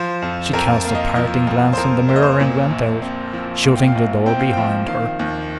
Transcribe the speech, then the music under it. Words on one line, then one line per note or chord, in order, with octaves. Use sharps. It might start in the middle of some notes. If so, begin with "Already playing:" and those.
She cast a parting glance in the mirror and went out, shutting the door behind her.
Already playing: F3 C5
F2
F2 A#4
A#3 F5
D#5
F3 D#5
F2
C5
F2 A#4
A#3 C5
D#5
C5
A#2
A#1
C4
F3
A#2 F5
G5
F5
A#1
C4 G5
F5
F3 G5
D#3 F5
D#2